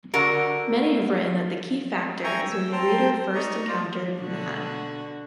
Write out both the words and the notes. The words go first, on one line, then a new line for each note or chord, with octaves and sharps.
Many have written that the key factor is when the reader first encountered "Mad".
D3 F#4 A#4
E5 G5 G#5 A#5 C#6
E6
C4 G5 A5 A#5 C6
D#4 D5 D#5 A#5 C#6
F4 C5 D5
B2 D3 F#4